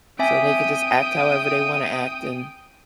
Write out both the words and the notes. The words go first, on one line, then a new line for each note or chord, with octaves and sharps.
so they could just act however they wanna act and
C4 E5 G5 G#5 D#6